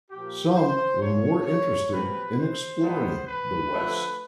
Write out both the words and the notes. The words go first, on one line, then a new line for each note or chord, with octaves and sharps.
Some were more interested in exploring the West.
A#2 F3 A#3 G4
C5
F#2 C#3 F3 C#5
C#5
C3 F3 A#3 B4
C5
G#2 D#3 G3 B3
B4
D3 F3 A3